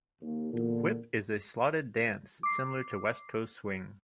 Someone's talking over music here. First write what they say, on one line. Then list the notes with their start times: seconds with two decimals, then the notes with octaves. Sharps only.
Whip is a slotted dance similar to West Coast Swing.
0.22 D#2
0.52 E2 A#2 D3
2.43 D6 C7